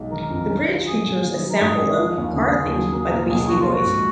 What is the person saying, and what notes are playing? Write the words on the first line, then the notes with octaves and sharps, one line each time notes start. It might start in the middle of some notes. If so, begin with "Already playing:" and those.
The bridge features a sample of "Car Thief" by the Beastie Boys.
Already playing: B1 G#3 D#4
D#3 A#4
F2
C#4
F4
F#3 G#4
A#2
D#3
F#3
A#4
G#2 G#4
G#1
F3
D#2
C#3 G#4
D#2
F#3
A#3
G#4
A#2 A#4
B1 G#4
F3 F#4
F4
A#3
F#4
G#2